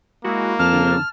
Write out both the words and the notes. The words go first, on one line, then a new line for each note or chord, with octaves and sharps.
you know,
G#3 A#3 E4 F#4
F2 A5 F6